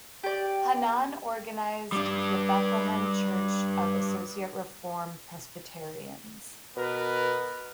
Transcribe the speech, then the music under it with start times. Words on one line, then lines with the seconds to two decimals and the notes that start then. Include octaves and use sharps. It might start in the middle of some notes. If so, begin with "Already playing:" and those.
Hannan organized the Bethlehem Church of Associate Reform Presbyterians.
0.23 G4 D5
1.92 G3 D4
6.77 B2 B3 A#4 B4